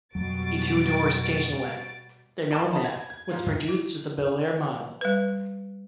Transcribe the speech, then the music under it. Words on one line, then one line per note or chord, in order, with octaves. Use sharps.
A two-door station wagon, the Nomad was produced as a Bel Air model.
F2 B2 F#3 G3 F#4 A6 D7
D5 A5 D6
D#5 A5 B5 C6
G#6
G#6
G#2 F3 F4
E4
G3 B4